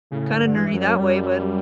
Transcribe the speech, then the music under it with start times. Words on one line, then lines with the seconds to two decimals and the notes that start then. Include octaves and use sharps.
kinda nerdy that way, but
0.11 A2 C#3
0.33 D3
0.41 G2
0.56 E3
0.71 F#2
0.78 F#3
0.99 F#2 G3